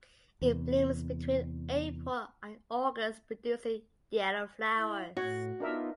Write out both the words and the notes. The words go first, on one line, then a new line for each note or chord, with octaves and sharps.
It blooms between April and August producing yellow flowers.
E2 C3
E4
A2 F#4 C#5
B3 D4 D#4 F4 A#4 E5